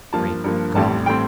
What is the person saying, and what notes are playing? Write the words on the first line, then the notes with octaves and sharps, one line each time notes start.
Great God!
G2 F3 A#3 A5
G2 F3 A#3
A1 A2 G3 C4 A5
A2 G3 C4 G5